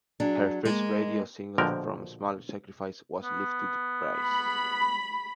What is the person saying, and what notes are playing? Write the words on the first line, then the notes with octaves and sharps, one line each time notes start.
Her first radio single from "Small Sacrifice" was "Live to Praise".
F#3 D4 G#4
G#3 A#3
A#1 B2 D3 F3 A#4 G5
B3
B5